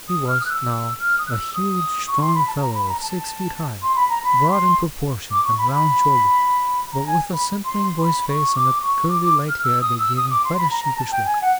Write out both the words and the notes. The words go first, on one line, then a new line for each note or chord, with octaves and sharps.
He was, now, a huge, strong fellow of six feet high, broad in proportion, and round-shouldered; but with a simpering boy's face and curly light hair that gave him quite a sheepish look.
D#6
F6
D#6
F#6
E6
F6
D#6
F#6
E6
D#6
C#6
C6
B5
A5
A#5
B5
A#5
A5
C6
B5
A#5
B5
C6
D6
C#6
B5
B5
A#5
G#5
B5
C6
C6
B5
C#6
D6
C#6
D6
D6
F6
E6
D#6
E6
D#6
D6
C6
B5
A#5
A#5
A5
G5
G#5
F#5